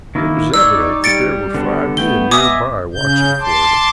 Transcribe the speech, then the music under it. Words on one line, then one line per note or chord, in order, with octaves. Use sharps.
It was evident that there were five men near by watching for him.
D#3 A#3 E4
D#4 C#5 D5 E6
G3 A6 C#7 D7
D3 B3 A4
A3 B3 G5 G7
D#5 E5 G#5 D6 D#6
C#3 G6
A5 C6 D6